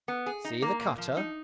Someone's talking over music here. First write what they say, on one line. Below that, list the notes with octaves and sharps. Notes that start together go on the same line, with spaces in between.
"See the cutter?"
B3
G#4
D#4
A#3
A#2
F3
D#4